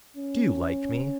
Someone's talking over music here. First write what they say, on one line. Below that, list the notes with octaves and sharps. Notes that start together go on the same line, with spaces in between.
"Do you like me?"
C#4